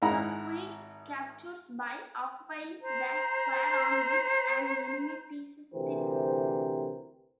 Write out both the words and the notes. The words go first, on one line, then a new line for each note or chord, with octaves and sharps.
The queen captures by occupying the square on which an enemy piece sits.
G#1 G#3 D#4 E4 F#5 A#5
C5 A#5
D2 C3 E3 G4 A#4 C5